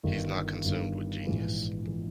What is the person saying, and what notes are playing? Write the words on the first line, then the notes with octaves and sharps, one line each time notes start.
He's not consumed with genius.
G1 G2 D#3
G1 G2 D#3
A#1 G#2 E3
E3